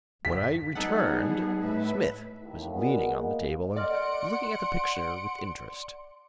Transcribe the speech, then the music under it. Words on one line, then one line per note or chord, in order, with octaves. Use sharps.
When I returned, Smith was leaning on the table and looking at the picture with interest.
B6
G3 B3 D#4 G#4 A4 F#5
A2 B4 E5
D#2 A2
G#3 B3 F#4 A#4 D5 F#5
A#3 D#5
A4 D5 D#5 F#5 C6 F6 C#7 D7